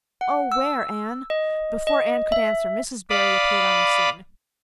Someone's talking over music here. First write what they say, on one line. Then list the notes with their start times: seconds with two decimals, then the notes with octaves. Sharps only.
"Oh, where, Anne?" Before Anne could answer Mrs. Barry appeared on the scene.
0.21 F#5
0.52 E6
1.30 D#5
1.87 D#5
2.32 E5
3.10 D5 F5 B5 D#6